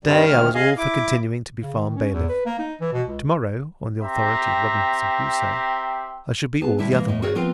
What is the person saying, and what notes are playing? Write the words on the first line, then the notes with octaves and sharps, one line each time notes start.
To-day I was all for continuing to be farm-bailiff; to-morrow, on the authority of ROBINSON CRUSOE, I should be all the other way.
G2 C3 D#3 G3
D2 D#3 F6
G#4 D#5 F5 G#5
E4 D6
C#3
D#3
C#4
E2
B4
A#3
D#4
E3
B2
C#2
C4 G4 E5 A#5
B3 G#4 A5
D2 C3 G3 E4 E5 A5
E3 A#3
A2 D#5
F#4 G#4 A#4 C#5
F3 B3 C4 F4 A#4